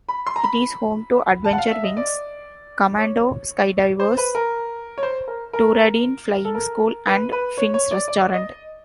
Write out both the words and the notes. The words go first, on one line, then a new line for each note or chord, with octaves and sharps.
It is home to Adventure Wings, Commando Skydivers, Tooradin Flying School and Fins Restaurant.
B5
C6
A#5
B5
A5
F#5
F5
E5
D#5
D5
C#5
C5
B4
A#4
C#5
C5
A#4
A#4
A4
A#4
B4
B4
C#5
C#5
D5
D5
D#5